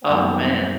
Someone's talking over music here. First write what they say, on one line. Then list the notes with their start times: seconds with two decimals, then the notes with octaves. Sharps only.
Oh, man.
0.09 F#2 D#3 G3 B3 G5